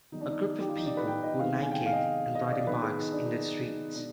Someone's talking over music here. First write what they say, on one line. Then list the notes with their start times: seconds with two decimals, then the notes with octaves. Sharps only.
A group of people who are naked and riding bikes in the streets.
0.12 D#3 G3 B3 D#4
0.21 D4
0.29 D#4
0.60 G4
0.68 F4
0.76 D#4
0.86 D5
0.97 B4
1.07 G5
1.23 D#5
1.39 C3 D#3 G#3 B3 F5
1.61 G#5
1.71 G5
1.86 F5
1.93 D#5
2.35 D#5
2.51 D5
2.67 D#3 B3 B4
2.82 G#4
2.99 D#4
3.12 D4
3.26 D#4
3.63 D#4
3.94 B2 G#3 B3 D4